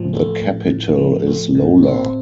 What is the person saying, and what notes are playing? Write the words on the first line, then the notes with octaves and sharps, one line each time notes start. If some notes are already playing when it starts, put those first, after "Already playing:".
The capital is Lola.
Already playing: A2 F3
A3
A2
A2
F3
A3
A2
C4